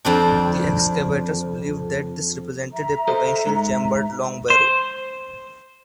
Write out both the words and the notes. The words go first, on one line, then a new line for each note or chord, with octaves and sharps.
The excavators believed that this represented a potential chambered long barrow.
F2 C4 D4
E5 A#5
A4 C5 D#5
G#2
C5